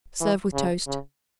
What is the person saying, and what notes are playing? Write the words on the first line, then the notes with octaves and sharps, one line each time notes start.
Serve with toast.
E3
C#3
C#3